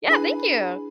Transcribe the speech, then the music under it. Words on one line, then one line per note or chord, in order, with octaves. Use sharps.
Yeah, thank you.
D4 E4 G#4 B4 G#5 B5